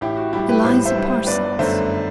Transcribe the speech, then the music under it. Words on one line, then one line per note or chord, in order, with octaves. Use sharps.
"Eliza Parsons."
A1 E4 G4
F#4
A2 G3 E4 G4
G4 B4
A1 C5 E5
C5 E5
A2 G3
C5 E5
G1 B4 D5
F#2 D3 A3 C5 E5